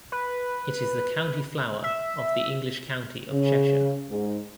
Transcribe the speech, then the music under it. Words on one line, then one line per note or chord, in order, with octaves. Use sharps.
It is the county flower of the English county of Cheshire.
B4
E5
C#3
G#2